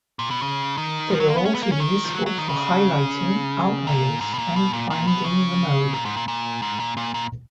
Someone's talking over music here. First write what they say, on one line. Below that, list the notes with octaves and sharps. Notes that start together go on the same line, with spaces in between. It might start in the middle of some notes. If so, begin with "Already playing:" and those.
They are also useful for highlighting outliers and finding the mode.
A#2
B2
C#3
D#3
F3
F#3
A#3
B3
C#4
B3
A#3
C#4
D#3
F3
F#3
F#3
D#3
C#3
A#2
G#2
B2
A#2
B2
A#2
A#2
B2
C#3
A#2
G#2
A#2
A#2
G#2
A#2
A#2
A#2